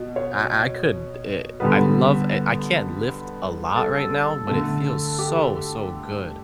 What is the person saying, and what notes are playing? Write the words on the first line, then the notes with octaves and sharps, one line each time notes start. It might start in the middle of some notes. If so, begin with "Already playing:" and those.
I I could, eh I love, eh I can't lift a lot right now, but it feels so, so good.
Already playing: B2
C#5
D3 G3 B3 B4
A4
D3 A3
G4